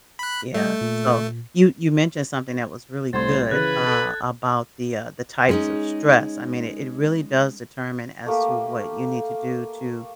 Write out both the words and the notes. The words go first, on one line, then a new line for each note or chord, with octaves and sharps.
Yeah, so, you you mentioned something that was really good, uh, about the, uh the types of stress, I mean it it really does determine as to what you need to do to
B5 F#6
G3 A3 D#5 G6
A#2
C2 A2 C5 C6 G#6 A6
C#3 E3 B4 F#6 A6
A4 A6
G#3 C#4 D#4
A3 A#3 G4